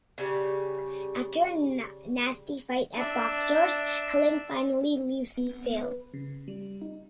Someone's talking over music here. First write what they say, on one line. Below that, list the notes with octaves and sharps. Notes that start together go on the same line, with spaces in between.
After a nasty fight at Boxers, Helen finally leaves Phil.
C#3 G3
D4 E5
B3
B4
C#3
G3
D#4